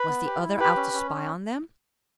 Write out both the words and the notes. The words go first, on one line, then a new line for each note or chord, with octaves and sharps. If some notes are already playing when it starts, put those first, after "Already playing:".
Was the other out to spy on them?
Already playing: B4
B3
G4
E4
G4 B4
C#4
C#4